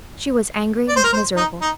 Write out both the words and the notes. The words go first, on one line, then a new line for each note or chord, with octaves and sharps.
She was angry and miserable.
D5
C5
A#4
C5
D#4
D#4